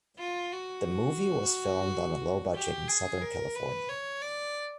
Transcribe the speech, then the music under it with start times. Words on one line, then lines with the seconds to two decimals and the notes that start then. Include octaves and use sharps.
The movie was filmed on a low budget in Southern California.
0.19 F4
0.53 F#4
2.55 G4
2.88 G#4
3.21 A#4
3.55 B4
3.89 C#5
4.22 D5